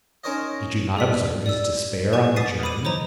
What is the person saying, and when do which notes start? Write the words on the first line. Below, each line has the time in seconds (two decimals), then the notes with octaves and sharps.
Did you not observe his despair on the journey?
0.24 C#4 D#4 A#4 C5 C#5 D#5
0.97 G#4 D5 B6
1.46 D5 E6
2.13 G4 B4 G#5 C#6 F#6
2.36 D6 D#6 A6 B6 C7 D#7
2.62 C5 B5 D6 D#6 D#7
2.85 C5 C#5 D#5 A#5